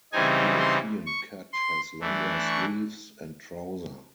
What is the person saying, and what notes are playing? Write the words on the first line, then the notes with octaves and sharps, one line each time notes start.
European Cut has longer sleeves and trouser.
C#3 E3 G3 C4 D#4 G#5
C6
C#6
C6
E3 A3 D4
C#6